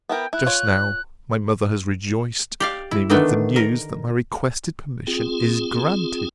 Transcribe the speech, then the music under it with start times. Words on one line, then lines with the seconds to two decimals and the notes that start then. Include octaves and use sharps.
Just now, my mother has rejoiced me with the news that my requested permission is granted.
0.09 B3 E4 A#4 G5
0.33 E4 F#6
0.46 F4 C#5
2.60 G4 D5 F5
2.91 E4
3.10 D3 D#3 A3 B3 D4
3.56 A#4
5.07 C4 F4 G#4